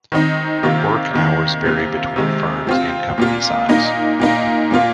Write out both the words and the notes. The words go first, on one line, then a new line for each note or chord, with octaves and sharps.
Work hours vary between firms and company size.
D#3 C4 D#4
C3 D#3 A#3 F4
C3 D#3 A#3
C3 F3 A#3 F4
C3 D#3 G#3
F3 C4 F4
A#2 A#3 F4
A#2 A#3 D#4
A#2 A#3 D#4
A#2 F3 A#3 F4